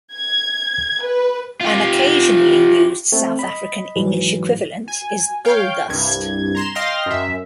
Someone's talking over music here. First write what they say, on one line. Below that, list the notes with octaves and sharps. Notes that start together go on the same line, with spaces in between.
An occasionally used South African English equivalent is "bull dust".
G#6
B4
F4 G4
A3 C4 A4
D#5 B5
G#2 E3 F#3
G#5
C#5 F5 G5 G6
C2 G2 G#6
A#5 C6 E7
D#5 F5 G5 C6 F6 A#6
F#2 E5